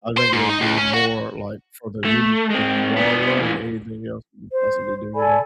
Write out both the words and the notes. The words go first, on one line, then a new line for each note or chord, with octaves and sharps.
I think it'll do more, like, for the youth in the long run than anything else we could possibly do, you know?
C5
G#2
D#4
C#2
C#4
F#4
A3
G#3 C4
B3 D4
A#2 E3
C5
A4 D5 G#5 B5